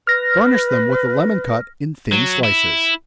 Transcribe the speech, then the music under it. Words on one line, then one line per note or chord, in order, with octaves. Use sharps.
Garnish them with a lemon cut in thin slices.
B4 F6 A#6
F#3
E4